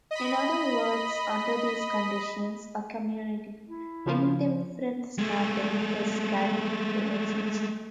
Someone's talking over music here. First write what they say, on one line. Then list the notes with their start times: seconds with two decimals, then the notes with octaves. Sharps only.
In other words, under these conditions a community indifference mapping is guaranteed to exist.
0.11 D#5 B5
3.69 E4
4.06 C#3 F3
5.18 G#3 A3